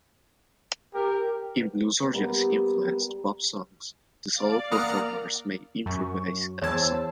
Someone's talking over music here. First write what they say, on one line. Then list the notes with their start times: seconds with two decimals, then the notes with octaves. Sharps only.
In blues- or jazz-influenced pop songs, the solo performers may improvise a solo.
0.94 G4 A#4
2.13 G3 A#3 B3
4.37 D5 F5
4.72 A#3 F#5 A#5 D#6 F6
5.86 F#2 C#6
6.62 E2 C5 C#5 A5 E6 G#6